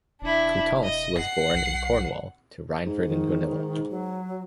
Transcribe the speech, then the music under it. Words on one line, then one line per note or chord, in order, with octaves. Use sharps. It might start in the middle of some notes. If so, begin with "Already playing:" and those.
Coutances was born in Cornwall, to Reinfrid and Gonilla.
E1 D4 E4
D#5
F#5 C7
B1
G#2
D#3
F#3